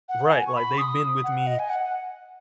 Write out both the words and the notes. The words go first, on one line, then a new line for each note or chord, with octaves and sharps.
Right, like they've been with me
F#5
G#5
C#6
B5
D#6
F#5
D#5
G#5
F#5